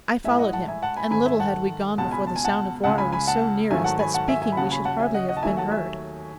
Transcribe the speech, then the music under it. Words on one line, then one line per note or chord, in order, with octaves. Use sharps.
I followed him, and little had we gone, Before the sound of water was so near us, That speaking we should hardly have been heard.
A2 G#3 E5 G#5
D#5 F#5
F#5 A5
E5 G#5
F#5 A5
G#5 B5
G#2 D#3 A3 G#5 B5
E5 G#5
F#5 A5
C#2 B2 G#3 F#5 A5
G#5 B5
A5
G#5
F#5 A5
C#2 C#3 G#3 F#5 A5
G#5 B5
G#5 B5
F#5 A5
G#2 D#3 F#3 A3 E5 G#5
F#5 A5
G#5 B5
F#5 A5
E5 G#5
E5 G#5
B5
D#2 C#3 F#3 F#5 A5
G#5 B5
F#5 A5
E5 G#5
D#5 F#5
D#5 F#5
A5
D#2 D#3 F#3 A3 E5 G#5
F#5 A5
E5 G#5